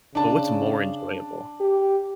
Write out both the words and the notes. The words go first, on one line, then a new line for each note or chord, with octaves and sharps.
but what's more enjoyable?
C#3 D4 A5
G4